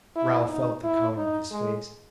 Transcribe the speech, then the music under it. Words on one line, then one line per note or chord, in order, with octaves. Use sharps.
Ralph felt the colour in his face.
E4
D#4
E4
D#4
G#3